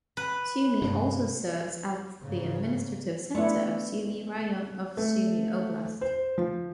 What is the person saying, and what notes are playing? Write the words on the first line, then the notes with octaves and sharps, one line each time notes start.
Sumy also serves as the administrative center of Sumy Raion of Sumy oblast.
B4
G2 C3 G#3
G#2 C#3
A3 B3 D4 E4
A3
C5
F3